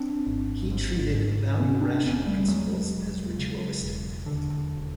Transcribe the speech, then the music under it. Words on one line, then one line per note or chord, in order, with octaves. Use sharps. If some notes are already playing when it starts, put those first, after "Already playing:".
He treated value-rational principles as ritualistic.
Already playing: C4 D4
G#1
G#2
G#2
C3 B3 C#4
C4 D4
E1 B3 C#4
G3 A3
E2 F#3 G#3
E1
C#3
E1
D#2 D3
E1